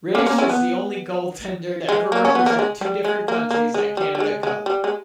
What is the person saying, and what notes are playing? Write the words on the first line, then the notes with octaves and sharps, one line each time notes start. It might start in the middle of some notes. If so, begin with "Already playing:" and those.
Resch is the only goaltender to ever represent two different countries at Canada Cup.
A#3 C#4
A#3 C#4
C#4 E4
B3
G#3
A#3
C#4
B3
A#3
G#3
G3
G#3
A#3
A#3
G#3
G3
G3
G#3
G#3
G3
G#3